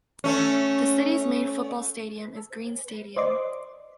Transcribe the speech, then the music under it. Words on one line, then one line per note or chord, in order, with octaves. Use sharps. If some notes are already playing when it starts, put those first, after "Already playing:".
The city's main football stadium is Green Stadium.
A3 C#4
C5 D5 D#5 C6 D6